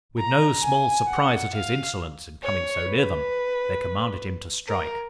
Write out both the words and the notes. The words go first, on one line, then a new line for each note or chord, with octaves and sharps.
With no small surprise at his insolence in coming so near them, they commanded him to strike.
A#5
G#5
F#5
F5
C#5
B4
A#4